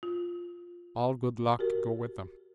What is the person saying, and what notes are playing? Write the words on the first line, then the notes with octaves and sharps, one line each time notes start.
All good luck go with them.
F4
F#4 G4 A#4